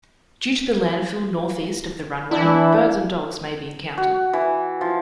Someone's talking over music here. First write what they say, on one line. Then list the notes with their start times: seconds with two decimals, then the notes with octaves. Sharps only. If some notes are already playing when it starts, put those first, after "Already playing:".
Due to the landfill northeast of the runway birds and dogs may be encountered.
2.31 E3 D4 E4
3.98 F#4
4.33 E3
4.81 F3